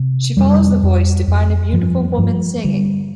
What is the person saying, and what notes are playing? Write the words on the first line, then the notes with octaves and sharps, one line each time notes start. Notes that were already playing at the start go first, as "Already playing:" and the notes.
She follows the voice to find a beautiful woman singing.
Already playing: C3
F2 G3
F2
F2
G2 F3
G2 F3
D3 G3